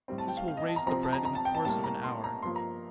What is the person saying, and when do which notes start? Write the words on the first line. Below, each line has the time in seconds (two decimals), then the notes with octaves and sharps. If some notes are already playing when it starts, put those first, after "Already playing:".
This will raise the bread in the course of an hour.
0.08 A2 G3 C4
0.18 A5
0.28 G5
0.37 F5
0.48 F5
0.57 D#5
0.67 A5
0.76 A#5
0.86 C2 C3 F3 C4 A#5
1.03 A5
1.13 A#5
1.25 A#5
1.35 A5
1.45 G5
1.55 A5
1.65 A2 G3 A#3 A5
1.84 A#5
2.04 C6
2.24 A#5
2.42 G2 F3 A#3 C6
2.56 A#5